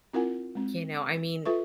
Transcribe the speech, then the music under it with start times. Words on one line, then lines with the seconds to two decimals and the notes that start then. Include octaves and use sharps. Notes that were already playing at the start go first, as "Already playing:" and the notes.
You know, I mean,
0.13 C4 E4 F4 A#4 F#5 G#5
0.55 G#3 C4
1.46 F4 A4 B4 E5 C#6